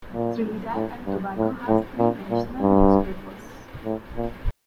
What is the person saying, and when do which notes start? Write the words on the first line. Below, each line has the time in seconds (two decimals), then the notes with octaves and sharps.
Trinidad and Tobago has three national newspapers.
0.13 A#2
0.75 A2
1.06 G2
1.37 A2
1.68 A2
1.99 A#2
2.31 A#2
2.61 G2
3.85 A2
4.16 A#2